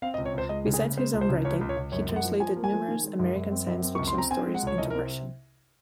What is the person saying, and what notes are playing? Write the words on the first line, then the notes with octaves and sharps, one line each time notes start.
Besides his own writing, he translated numerous American science fiction stories into Russian.
C4 F5
D#5
C#2
C#5
C#2 C5
G#3 D#5
C#3
G#4
C#3
G#3 C5
C#2
C5
C#3
C#2 C#5
C#2
C#5
C#2
F#2 C#5
F#2
F#5
F3
F3 G#5
A#3
G#5
F3
D#3
G#3
F#2
F#2
C4
F#2
C4
C#6
C#2
C6
C4 A#5
C4 G#5
G#3
F#5
C#2 C#5
C2 D#5
A#4
C3